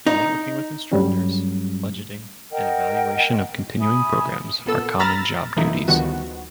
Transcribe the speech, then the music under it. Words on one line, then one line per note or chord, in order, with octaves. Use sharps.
Networking with instructors, budgeting, and evaluation of continuing programs are common job duties.
D#4
G2 F#3 G3 A3 C#4
A#4 D#5 F#5 G5
E5 G#5 B5 D#6
A#2 B3 A4 E6
A#5 B5 E6 F6 A6 A#6
E3 F3 A3 A#3 D#4 E4
D2 D#3 F3 G3 B3 F#4